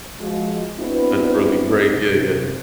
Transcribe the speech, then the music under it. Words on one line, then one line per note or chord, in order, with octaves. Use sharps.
that's really great, yeah, yeah.
F3 G#3 F#4
B3 C4 D4 E4 F#4 B4
C3